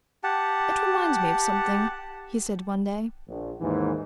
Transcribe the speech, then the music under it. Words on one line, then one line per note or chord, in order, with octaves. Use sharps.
"It reminds me of something," he said one day.
G4 F#5 A5
A#1
D#2 G#2 D#3 E3